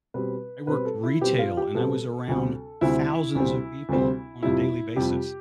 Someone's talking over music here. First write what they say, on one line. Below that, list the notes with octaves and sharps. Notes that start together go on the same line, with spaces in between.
I worked retail, and I was around thousands of people on a daily basis,
B2 G3 C4 B4
B2 G3 C4 B4
A4
E4
B2 G3 C4 G4
F4
G4
B2 G3 C4 A4
D2 C3 G3 C4
D2 C3 G3 C4 E4
D2 C3 G3 C4
D2 C3 G3 C4
F2 C3 G3 E4
F2 C3 G3 G4